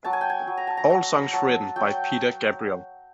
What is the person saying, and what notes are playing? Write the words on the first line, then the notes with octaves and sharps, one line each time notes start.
All songs written by Peter Gabriel.
F#3 A5
G#5
G5
G#5
F#3
A#5
A5
A#5
F#3 A#5
F#3 A5
F#3 G5